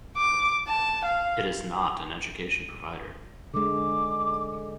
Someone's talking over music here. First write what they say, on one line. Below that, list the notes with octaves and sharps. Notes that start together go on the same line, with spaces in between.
It is not an education provider.
D6
A5
F5
D3 G#3 D6